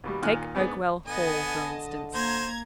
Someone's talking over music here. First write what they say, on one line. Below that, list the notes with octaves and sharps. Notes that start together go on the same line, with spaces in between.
Take Oakwell Hall, for instance.
D#2 B2 G3
A#2 D#3 G#5 F6 F#6
G#2 B3 D4 G#4
D3 B3 D#5 G#5 A5
A#3 C5 A#5 G#6